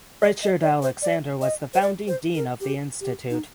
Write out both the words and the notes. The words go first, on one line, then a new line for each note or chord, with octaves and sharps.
Richard Alexander was the founding Dean of the Institute.
D5
D#5
D5
C5
D5
D#5
C5
D5
C5
A#4
G4
G4
D#4